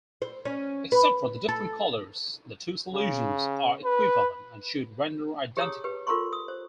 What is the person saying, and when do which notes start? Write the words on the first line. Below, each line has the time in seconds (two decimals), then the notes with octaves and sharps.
Except for the different colors, the two solutions are equivalent and should render identically.
0.22 C5
0.45 C#4
0.92 B4
1.49 A4
2.93 C#3
3.84 B4
5.57 G4 G#4 C#5 A5 A#5 D#6
5.84 G4 B4
6.07 F4 A4 A#4 A#5 C6 C#6
6.33 D#6
6.48 C5